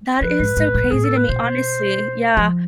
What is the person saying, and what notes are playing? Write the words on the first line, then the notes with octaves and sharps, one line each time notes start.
That is so crazy to me, honestly. Yeah.
F3 B4
G#2
G#2
A2
B2
A2 G#4
A4
B4
B2 C5
F3